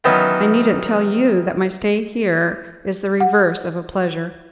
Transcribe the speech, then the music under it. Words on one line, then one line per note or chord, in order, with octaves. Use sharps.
I need n't tell you that my stay here is the reverse of a pleasure.
D#3 E3 F#3 B3 C#4
F#5